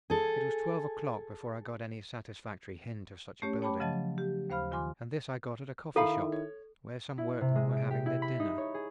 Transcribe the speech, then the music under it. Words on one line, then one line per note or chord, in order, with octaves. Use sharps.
It was twelve o'clock before I got any satisfactory hint of such a building, and this I got at a coffee-shop, where some workmen were having their dinner.
G#4 A4
A3 C#4 G4 C#5
C#5 G5 A5 B5 D6
C#3 F3 F#3 D#5 A5 A6
G4
D#2 C5 F5 B5 F6
D#3 F4 G#5 C6 D6
D#3 D#4 E4 A4 F5 B5
C#5
E4
C3
G#3
D7
G4
E4
B5
D#4
C#5
G#4